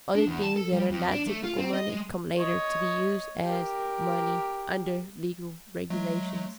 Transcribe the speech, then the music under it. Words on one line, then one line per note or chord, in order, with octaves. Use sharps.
Other things that are not typical money come later to be used as money, under legal regulations.
D4
E2
A5
A4
G3
F2
D4
A3
F4
C4
D#5
G#3
C#5 D#5
G4 A#4
F#3 G#3 A3